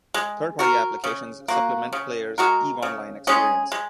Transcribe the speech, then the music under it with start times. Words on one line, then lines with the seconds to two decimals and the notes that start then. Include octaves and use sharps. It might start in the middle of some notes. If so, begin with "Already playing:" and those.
Third-party applications supplement players' "Eve Online" experience.
0.14 G#3
0.59 F#4 A#4
1.04 C#3
1.48 A#3 F#4
1.93 C#3
2.38 G#3 F#4 A#4
2.82 C#3
3.27 G#3 C#4 G#4
3.72 G#3